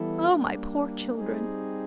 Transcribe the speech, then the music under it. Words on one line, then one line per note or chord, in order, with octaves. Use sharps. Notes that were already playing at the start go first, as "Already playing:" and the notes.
O my poor children!
Already playing: E3 G3 B3 E4 A4
G3 A#3 D4
G3 C4 D#4 G#4